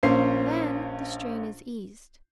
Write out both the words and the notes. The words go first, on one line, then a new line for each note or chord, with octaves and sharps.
Then the strain is eased.
A#1 A#3 C#4 C5 C7